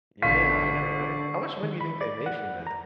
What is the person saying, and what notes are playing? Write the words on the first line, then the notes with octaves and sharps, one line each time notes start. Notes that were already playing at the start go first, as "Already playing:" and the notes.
Yeah I know, right? How much money do you think they made from that?
A1 B2 D3 F4 C#6 B6 C7
D#3
B5
D5
F#5
A#5